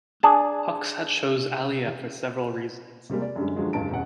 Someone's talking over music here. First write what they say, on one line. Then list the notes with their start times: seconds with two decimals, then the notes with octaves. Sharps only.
Hoxha chose Alia for several reasons.
0.23 D4 G#4 A5
3.10 C3 G3 G#3 A#3
3.22 D5
3.36 F#2 D3 G3 G#3
3.56 D3 F3 F#3 G#3
3.73 F1 C#2 G2 A5 D7
3.90 E1 C#4 F#5